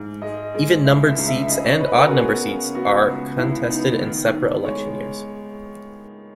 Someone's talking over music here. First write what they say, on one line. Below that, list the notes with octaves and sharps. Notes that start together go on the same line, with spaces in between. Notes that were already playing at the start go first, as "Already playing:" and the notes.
Even numbered seats and odd numbered seats are contested in separate election years.
Already playing: G#2
G#3 D#5
G#3
C#2 E5
E5
C#2
E5
E5
C#3 D#5
C#5
C#3 B4
A#4
F#4
B3 G#4
C#3
B3 F#4
C#2
C#2 E4
B3 D#4
D#3
D#3
G#3 C#5